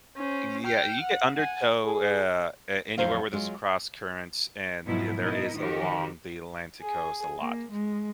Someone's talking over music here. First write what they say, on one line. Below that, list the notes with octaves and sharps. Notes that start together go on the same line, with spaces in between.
Yeah, you get undertow, uh, a anywhere where there's a cross current, and there is along the Atlantic Coast a lot.
C#4 C5
G5 F6
F#5
F#5 G#5
G#4
F2 D3 D#3 F#3 C5 F5
F#3 G#3 F4
G#2 B2 F3 F#3 E4
B2 D#4 E4 A#4 D#5
D#3 F3 F#4 G4 A#4
G#4
A#3
G#3